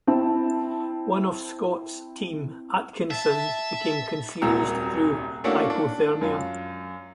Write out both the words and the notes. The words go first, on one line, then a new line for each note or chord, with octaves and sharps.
One of Scott's team, Atkinson, became confused through hypothermia.
C4 E4 A5
E5 A5
D#1 C2 A#2 F#4 A#5 E6
A3 A#3 C#4 D4 E4 F#4
D4
F#2 F4